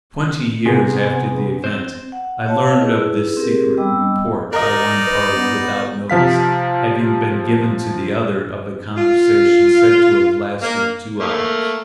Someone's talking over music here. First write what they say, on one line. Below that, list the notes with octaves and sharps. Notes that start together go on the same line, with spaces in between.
Twenty years after the event, I learned of this secret report, by one party, without notice having been given to the other, of a conversation said to have lasted two hours.
C3 B3 G#4
C4 C5
F#5
C#5 D#5 F5 A5
E4 G#4 B4
C4 G4 G#4 A#4
G3 B3 D#5 G5 D6 E6
D#4 A#4 D5 D#5
B4
B3
C3 F3 F5 B6
F4
A#3
A3 A#3